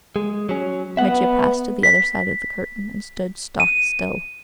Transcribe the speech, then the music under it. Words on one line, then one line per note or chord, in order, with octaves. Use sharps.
Mitya passed to the other side of the curtain and stood stock still.
G#3
F#3 C#4
B3 E5 F#5
B6
D#7